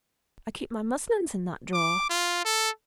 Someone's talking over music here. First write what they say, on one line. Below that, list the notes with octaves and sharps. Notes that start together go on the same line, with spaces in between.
I keep my muslins in that drawer.'
D6
F4
A4